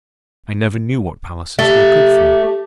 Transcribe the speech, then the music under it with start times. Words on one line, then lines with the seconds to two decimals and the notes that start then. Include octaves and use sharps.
I never knew what palaces were good for.
1.59 A3 G4